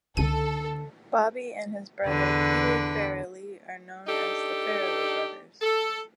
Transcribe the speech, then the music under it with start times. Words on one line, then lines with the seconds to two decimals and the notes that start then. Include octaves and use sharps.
Bobby and his brother Peter Farrelly are known as The Farrelly brothers.
0.17 C#2 D3 A4 D#7
2.06 E2 D3 B4
4.07 D4 D#4 G4 A4
5.62 A4